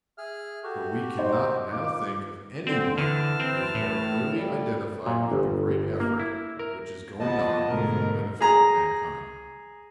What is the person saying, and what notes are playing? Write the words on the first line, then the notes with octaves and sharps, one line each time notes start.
But we cannot now think of any one who is more clearly identified with the great effort which is going on for the benefit of mankind.
G#4 E5 F6
F#4 G4 A4
D#4 C5 D#5
F4 D6
D3 C4
D3 E3 A5 F6
C4
A2
G3
A#2
G1
A#3
E4
A#4
F3 B3 D#5 A5
D2 G#2 B2 A#4
G#4 A#5